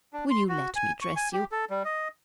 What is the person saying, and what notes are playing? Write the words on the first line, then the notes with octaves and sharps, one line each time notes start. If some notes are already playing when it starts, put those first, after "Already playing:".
Will you let me dress you?
D4
C6
F#4
G#5
C#6
G#5
G4
A4
G3
D#5